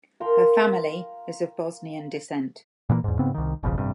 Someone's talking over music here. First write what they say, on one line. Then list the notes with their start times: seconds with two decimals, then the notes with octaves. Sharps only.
Her family is of Bosnian descent.
0.20 A#4 F5 G5 C6
2.89 A#2 E3 A#3
3.04 E2 G#2
3.19 G#2 C#3 B3 C4
3.34 C2 D#3
3.63 F#1 B1 F2 C#3
3.78 A1 G2 C3